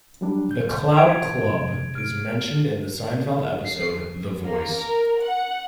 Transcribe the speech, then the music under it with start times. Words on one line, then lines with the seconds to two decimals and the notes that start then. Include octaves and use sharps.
The Cloud Club is mentioned in the Seinfeld episode The Voice.
0.21 F#3 G3 D4
0.51 G6
0.97 G#6 D7 F7
1.43 C3
1.95 F6 D7
3.65 C7
4.43 A#3
4.76 A#4
5.22 F#5